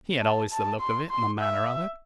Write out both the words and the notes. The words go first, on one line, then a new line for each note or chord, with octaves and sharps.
'He had always the look of it, and the manner of it.'
A5
A5
C6
C6
E5